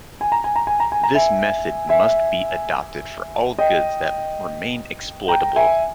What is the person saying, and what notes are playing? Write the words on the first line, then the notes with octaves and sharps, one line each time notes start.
This method must be adopted for all goods that remain exploitable...
G#5
A#5
G#5
A#5
G#5
A#5
G#5
A#5
E5 G#5
E5 G#5
D#5 G5
G5 A#5
E5 G#5